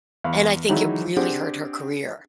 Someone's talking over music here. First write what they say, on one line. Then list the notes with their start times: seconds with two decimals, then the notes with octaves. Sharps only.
And I think it really hurt her career.
0.24 E2 F5 B5
0.69 D#3 E3 F#3 G#3 D#4 E4
1.17 C4 D4 G4 G#4 F#5